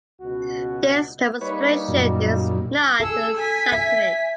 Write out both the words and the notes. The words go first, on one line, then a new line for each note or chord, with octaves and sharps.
This demonstration is not scientific.
C#2 B2 F#4
G3 A#3 D#4 B4 C#5
F#2 A#2
G#4 A4 E6
G#5 B6
E5